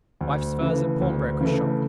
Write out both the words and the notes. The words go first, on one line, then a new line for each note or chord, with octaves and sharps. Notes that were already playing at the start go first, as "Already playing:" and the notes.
Wife's furs at pawnbroker's shop.
D2
C#3 E3 A3
D2
C#3 E3 A3